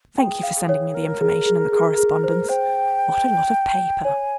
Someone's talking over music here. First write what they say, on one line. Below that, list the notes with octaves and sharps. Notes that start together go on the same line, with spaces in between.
Thank you for sending me the information and the correspondence. What a lot of paper.
G#4 G5
F5
G#4
C#5
A#4
G#4
G#4
G#4
G#4
C5
C5 G5
C#5 G#5